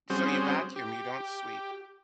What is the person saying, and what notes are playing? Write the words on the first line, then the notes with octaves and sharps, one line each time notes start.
So you vacuum, you don't sweep.
G3 C4 C#4 F#4 G#4 C5
G4